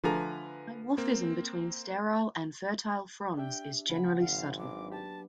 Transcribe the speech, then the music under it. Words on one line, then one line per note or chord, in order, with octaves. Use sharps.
Dimorphism between sterile and fertile fronds is generally subtle.
D3 F3 A3 B4 G#5 A#5
A#3 C4
D4 G4 E5 G5
C#3 F3 A#3 F#5 G#5 B5
G#1 F5
F#3 B3 D4 D6
G4 A5